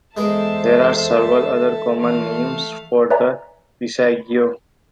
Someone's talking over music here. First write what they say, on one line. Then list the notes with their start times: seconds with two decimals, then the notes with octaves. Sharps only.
There are several other common names for the "passaggio".
0.17 E2 G#3 A4 A#4 C5 E5 A5
1.97 E3 A3 F5
3.10 B4 C#5 D5 E5 G#5 A#5